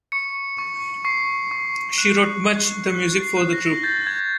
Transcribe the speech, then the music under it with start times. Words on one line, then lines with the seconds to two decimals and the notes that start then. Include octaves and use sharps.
She wrote much the music for the group.
0.12 C#6 C#7
0.58 C#6
1.05 C#6 C7
1.51 C#6
1.98 F#6
2.44 C#6
2.90 F#6
3.22 C7
3.37 F#6
3.53 A#6
3.83 G6 A6
4.07 G#6